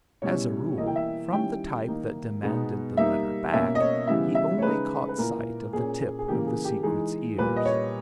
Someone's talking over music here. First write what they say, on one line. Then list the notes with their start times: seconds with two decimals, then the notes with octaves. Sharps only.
As a rule, from the type that demanded the letter back, he only caught sight of the tip of the secret's ears.
0.22 B2 G3 C#4 E4 C#5
0.78 E3 A#3 E4 D#5
0.87 G5
0.96 E5
1.32 D#3 G3 C#4 E4 G5
1.88 D#3 A#3 D#4
2.43 B2 G#3 B3 D#4
2.97 G3 A#3 D#4 E5
3.52 B2 A#3 C#4 E5
3.75 D#5
3.80 C#5
4.07 C#3 E3 G3 B3 E4 E5
4.35 E5
4.58 C#5
4.62 C#3 G#3 D#4 B4
5.08 B4
5.18 A#2 A#3 E4 A#4
5.73 A#2 A#3 C#4 G#4
6.19 G#4
6.28 C#3 E3 A#3 G4
6.47 G#4
6.65 G4
6.83 E3 G#3 D#4 G#4
7.38 A#2 G3 A#3 B4
7.56 D#5
7.65 C#5